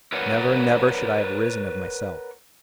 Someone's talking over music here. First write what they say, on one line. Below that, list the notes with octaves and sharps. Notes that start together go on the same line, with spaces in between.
Never, never should I have risen of myself!
A#4 B4 C#5 D5 F#5